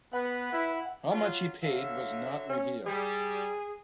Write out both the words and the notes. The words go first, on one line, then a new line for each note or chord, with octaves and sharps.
How much he paid was not revealed.
B3 B4 F#5
E4
F#3 F4
D3 F#3 E5 F5
C#4
G3 G#4